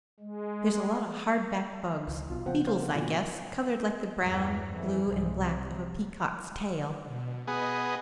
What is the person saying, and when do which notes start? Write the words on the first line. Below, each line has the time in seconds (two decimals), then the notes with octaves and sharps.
There's a lot of hard-backed bugs--beetles, I guess--colored like the brown, blue, and black of a peacock's tail.
0.20 G#3
2.08 C#2 E3
2.30 B1 B2 F4
2.46 C#3 F3 B3 C4 F#5 G5
2.67 C5 F5
2.94 A#2 E3 F#3
4.19 E2 G2
4.70 F2 E3
5.08 C2 G#2
5.41 C3
7.05 B2
7.48 B3 G#4 B4 D#5